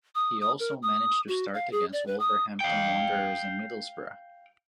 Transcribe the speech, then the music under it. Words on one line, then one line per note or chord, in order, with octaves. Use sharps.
He also managed to start against Wolverhampton Wanderers and Middlesbrough.
D#6
D#6
A#4
D#6
F#4
F5
G#4
D5
B4
D#6
F5 G5